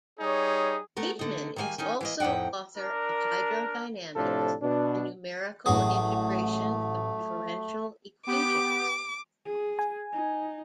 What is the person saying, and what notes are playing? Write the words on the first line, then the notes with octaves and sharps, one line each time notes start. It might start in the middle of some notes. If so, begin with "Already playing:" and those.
Bateman is also author of "Hydrodynamics" and "Numerical integration of differential equations".
G3 D#4 G#4 C#5
A3 B3 A#4
D3 D#4
D#3 G3 A#3 F#5 G#5
D#3 C#4 D#4 G#5
E3 A#3 D#5
F2 A2 D#4 F#5 G5
D4 A#4
A2 C3 F3 D4 A4
B2 D4
A1 F#3 A3 F#4 G#4 D#6
B3 G4 D6
G#4
G#5
D#4